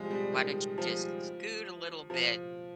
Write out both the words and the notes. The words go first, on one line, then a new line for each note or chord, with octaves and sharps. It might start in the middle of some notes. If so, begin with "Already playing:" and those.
Why don't you just scoot a little bit
Already playing: F3 G3 G#3
G3
D#3
F3
F3